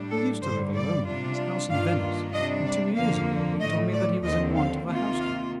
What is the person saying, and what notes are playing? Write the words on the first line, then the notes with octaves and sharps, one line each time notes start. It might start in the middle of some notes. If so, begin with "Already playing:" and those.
He used to live alone in his house in Venice, and two years ago he told me that he was in want of a housekeeper.
Already playing: A2 G3 D4
A4
G2 D3 G3 C5
D5
C3 G3 D4 F4
G2 D#3 A#3 D4 F4 F5
C3 G3 D4 D#5
D5
F2 D3 F3 A#3 F5
A2 F3 A3 D#5
D5
D#2 D3 F3 C4 D#5
F5
C3 D#3 A#3 F4
F5